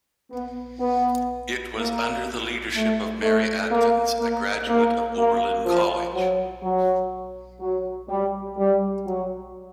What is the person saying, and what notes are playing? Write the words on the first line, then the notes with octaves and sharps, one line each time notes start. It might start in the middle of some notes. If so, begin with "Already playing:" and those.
It was under the leadership of Mary Atkins, a graduate of Oberlin College.
B3
B3
A#3
A3
A3
A#3
A#3
A#3
A#3
F3
F#3
F#3
F#3
G3
G3
F#3